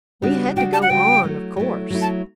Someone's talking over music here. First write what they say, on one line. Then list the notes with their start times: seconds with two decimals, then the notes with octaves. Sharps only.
We had to go on, of course.
0.22 C#3 G3 D4 F#4
0.56 C#3 G3 D4 F#4 G5
0.73 A5
0.82 F#5
0.90 C#3 G3 D4 F#4 G5
1.23 F#3 A3 E4
1.57 F#3 A3 E4
1.90 F#3 A3 E4
2.02 A5